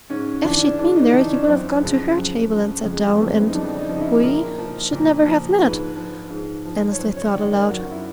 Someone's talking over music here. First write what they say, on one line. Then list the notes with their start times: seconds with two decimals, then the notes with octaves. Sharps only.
"If she'd been there, you would have gone to her table and sat down, and we--should never have met!" Annesley thought aloud.
0.10 G#2 C#4
0.44 E3 D4
0.78 G#2 D4
0.95 D#4
1.06 D#4
1.13 E3 D4
1.30 C#4
1.47 F#2 C4
1.82 C#3 F3
2.17 F#2
2.52 C#3 F3
2.85 F2 G#3
3.09 G3
3.19 C#3 F3 B3
3.32 C4
3.40 E4
3.47 D#4
3.54 F2 D4
3.78 D#4
3.89 C#3 F3
3.96 D#4
4.01 E4
4.23 A#2 A#4
4.58 F3
4.92 A#2
5.27 F3
5.61 G#2 B4
5.96 F3
6.30 G#2
6.65 F3
6.92 C#5
6.99 F#2 C5
7.17 C#5
7.34 D#3 D5
7.52 A#4
7.68 F#2 F#4
7.80 F4
7.91 E4